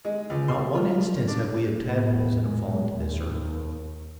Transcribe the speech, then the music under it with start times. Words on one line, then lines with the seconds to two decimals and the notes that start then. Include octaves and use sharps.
Not one instance have we of tadpoles that have fallen to this earth.
0.05 G#3
0.30 C#2
0.48 C6
0.75 F4
1.27 D4
1.87 A2 B3
2.39 A#2 G#3
2.89 D#2